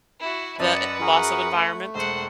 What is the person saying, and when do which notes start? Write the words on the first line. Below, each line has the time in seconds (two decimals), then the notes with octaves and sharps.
the eh loss of environment?
0.20 E4 F#4
0.59 F#2 B4 D5 D#5 F#5 A5
1.01 F#4 G#4 A#4
1.53 A3
1.95 E1 C5 F#5